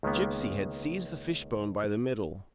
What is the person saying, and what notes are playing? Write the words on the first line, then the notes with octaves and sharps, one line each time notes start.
Gipsy had seized the fishbone by the middle.
C#2 D#3 G#3 A#3 B3